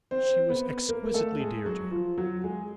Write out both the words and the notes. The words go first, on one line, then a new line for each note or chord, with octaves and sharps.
She was exquisitely dear to him.
C4 C5
B3 B4
A#3 A#4
A3 A4
G#3 G#4
F#3 F#4
F3 F4
F#3 F#4
G#3 G#4